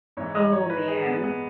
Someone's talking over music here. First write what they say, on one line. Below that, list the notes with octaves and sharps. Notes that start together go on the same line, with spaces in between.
Oh, man.
G#2 E3 C#5
D#5
C#5
B4
G#4
B3
B3